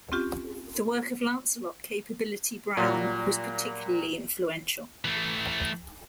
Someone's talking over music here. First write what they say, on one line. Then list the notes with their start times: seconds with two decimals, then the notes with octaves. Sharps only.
The work of Lancelot "Capability" Brown was particularly influential.
0.12 C4 C#4 F4 G4
2.77 A#2 F#3 G3
5.05 E3 A3